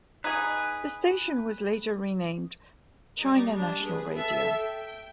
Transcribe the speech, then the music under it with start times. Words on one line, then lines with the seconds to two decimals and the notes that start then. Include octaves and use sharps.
The station was later renamed China National Radio.
0.24 D#4 G#4 B4
3.19 G3 D#4
3.53 G3 D4
3.83 G#4 B4
4.16 A4 E5
4.56 G5